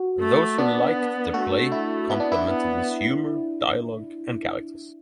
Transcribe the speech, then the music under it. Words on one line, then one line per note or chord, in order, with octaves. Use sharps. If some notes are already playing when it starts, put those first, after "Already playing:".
Those who liked the play complimented its humor, dialogue, and characters.
Already playing: F#4
A3
B3 D4
A3 F#4
E4
B3 E4
D4
E4
B3